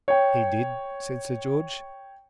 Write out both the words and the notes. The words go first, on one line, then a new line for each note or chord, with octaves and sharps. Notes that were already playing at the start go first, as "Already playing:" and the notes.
"He did," said Sir George.
C#5 G5